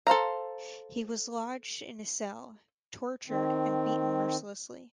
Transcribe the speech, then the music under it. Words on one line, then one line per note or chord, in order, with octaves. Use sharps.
He was lodged in a cell, tortured and beaten mercilessly.
A4 C5 F5 A#5
D#3 C4